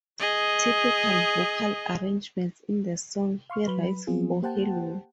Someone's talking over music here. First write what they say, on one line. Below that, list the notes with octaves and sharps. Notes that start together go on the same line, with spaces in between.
Typical vocal arrangements in the songs he writes for Hello!
G#4 D#5
F5 C6 C#6 F6
F#3 B4 B5
F3 F#3 B3 C4 F4 G#4
A#3 G4 C5 F#5 G5 A5